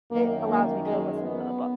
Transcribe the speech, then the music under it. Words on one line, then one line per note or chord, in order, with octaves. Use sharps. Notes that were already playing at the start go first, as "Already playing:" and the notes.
it allows me to listen to the book
F#2 D#3 A#3
A#3
G#3
B3